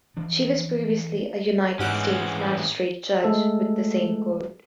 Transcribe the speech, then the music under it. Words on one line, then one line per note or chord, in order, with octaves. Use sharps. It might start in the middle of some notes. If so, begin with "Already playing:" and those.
She was previously a United States Magistrate Judge with the same court.
E3 F3 D4
G#2 E3 C4 C#4 F#5 D7
G#3 A3 A4